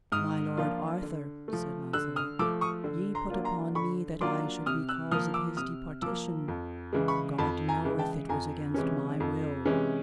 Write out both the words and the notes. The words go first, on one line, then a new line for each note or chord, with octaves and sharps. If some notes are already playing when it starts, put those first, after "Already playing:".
My lord Arthur, said Launcelot, ye put upon me that I should be cause of his departition; God knoweth it was against my will.
G#2 D#6 F6
F3 A#3 D4 F4
D3
F3 A3
D3 E6 F#6
D#6 F6
F3 A3 D6 E6
C#6 D#6
D3
A#5 C6
F#3 A#3 D4 F4
A#5 C6
D3 B5 C#6
F#3 A#3 D4 F4 C6 D6
C3 D#6 F6
E6 F#6
F3 A#3 D#6 F6
D6 E6
C3 D#6 F6
F3 A#3 D6 E6
F2
C#3 E3 G#3
B5 C#6
F2 A5 B5
G#5 A#5
C#3 E3 G#3
G5 A5
F2 G#5 A#5
C3 E3 G#3 C#4
F2
C3 E3 G#3 C#4